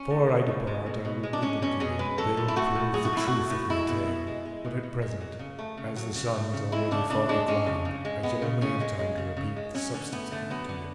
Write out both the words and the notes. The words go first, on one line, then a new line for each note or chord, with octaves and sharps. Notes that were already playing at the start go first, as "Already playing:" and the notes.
Before I depart I will give them to you; they will prove the truth of my tale; but at present, as the sun is already far declined, I shall only have time to repeat the substance of them to you.
Already playing: C#4
A2
A3
A2
G#3
B2
B2
G#3
D4
G#3 C#4
B2 C#4
B2 G#4
G#3 B4
F#3 A4
A2
E4
A3 F#4
A2
F#3 G#4
F#4
A2 E4
A3 F#4
A2
G#3 E4
B2
B2
G#3
G#3
B2
B2
G#3
F#3
C#3
A3
C#3
F#3
C#3
A3
C#3
G#3 E4
C#3 D4
C#3 D4
G#3 D4
G#3 C#4
C#3
C#3
G#3
G#3 B3
C#3
C#3 C#4
G#3
G#3
C#3
C#3
G#3
F#3 C#4
D3 C#4
A3 B3
D3 A3
F#3 B3
D3